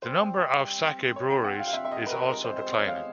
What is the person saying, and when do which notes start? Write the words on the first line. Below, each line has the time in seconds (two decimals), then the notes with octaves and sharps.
The number of sake breweries is also declining.
0.02 G3 C5
0.21 C4
0.41 C4
0.60 G3
0.78 C4
0.98 C4
1.16 C4 C#5
1.30 G5
1.35 G2
1.44 F#5
1.54 C4 F5
1.67 F5
1.73 C4 E5
1.85 E5
1.91 D#3 D#5
2.06 B4
2.11 C4 A#4
2.30 G#3 A#4
2.44 C5
2.50 C3
2.58 C5
2.68 B3 C#5
2.87 G#3 F5